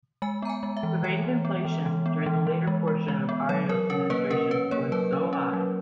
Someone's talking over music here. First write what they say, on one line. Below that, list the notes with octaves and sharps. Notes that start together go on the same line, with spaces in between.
The rate of inflation during the later portion of Arroyo's administration was so high.
G#3 G#5
B3 A#5
G#5
G#3
E5
E3
E3 C#5
E3
B3
E3
E3
B3
E3
E3
G#3
G#3
G#3
B3
F#3 C#5
F#3 A#4
C#4 A#4
A#3 B4
C#4 A#4
C#4 B4
A#3 C#5
F#3 B4
C#4
C#4
F#3